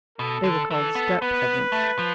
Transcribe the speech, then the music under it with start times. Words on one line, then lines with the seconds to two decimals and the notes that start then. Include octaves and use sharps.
They were called steppe peasants.
0.18 B2 A4
0.44 D3
0.70 E3 A4
0.95 B3
1.22 B3 B4
1.72 A3
1.99 F3